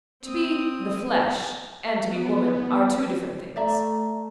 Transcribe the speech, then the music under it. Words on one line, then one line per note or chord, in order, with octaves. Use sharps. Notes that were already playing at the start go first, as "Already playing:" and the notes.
To be "the flesh" and to be woman are two different things.
C4 D#6
B3
A3 D5 E5 A#5